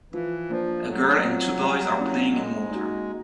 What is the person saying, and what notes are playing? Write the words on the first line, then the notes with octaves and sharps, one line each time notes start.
A girl and two boys are playing in water.
E3 F3
F3 A#3 D4
F#3 A3
C4 F4
G3
A#3 C#4 E4
G#3 A#3
D#4 F#4